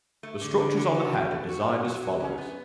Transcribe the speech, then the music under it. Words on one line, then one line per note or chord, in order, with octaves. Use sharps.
The structures on the head are designed as follows.
A3
D3
D3
D3
F#4
B2
A3
F#4
F#3
F#3
F#3
C#4
B3